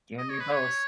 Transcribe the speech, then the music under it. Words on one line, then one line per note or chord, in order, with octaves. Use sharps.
You and me both.
D#5
C#5
B4
C#5